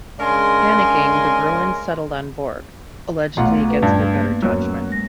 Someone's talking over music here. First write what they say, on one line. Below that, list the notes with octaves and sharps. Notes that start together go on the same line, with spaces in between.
Panicking, the Bruins settled on Bourque, allegedly against their better judgment.
C#3 G#3 D4 A#4 G#5 C6
B1 A3 F4 F#5
B4
G2
A#3 B3
F#2 F#3
G#3 A#6